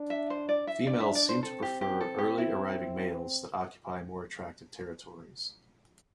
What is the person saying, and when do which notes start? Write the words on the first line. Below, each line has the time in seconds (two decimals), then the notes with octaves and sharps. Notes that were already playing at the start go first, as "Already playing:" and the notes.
Females seem to prefer early arriving males that occupy more attractive territories.
Already playing: D4
0.10 E5
0.30 C5
0.49 D5
0.67 E5
0.87 D4 D5
1.00 E5
1.15 D5
1.29 C5
1.43 C4 A4
1.62 G4
1.81 G4
2.01 A4
2.18 G4
2.38 E4